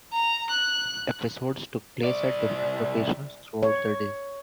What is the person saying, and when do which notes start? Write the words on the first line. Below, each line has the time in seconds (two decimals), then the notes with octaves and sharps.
Episodes took place at different locations throughout the day.
0.13 A#5
0.50 F#6
2.04 C2 D5
3.63 C#5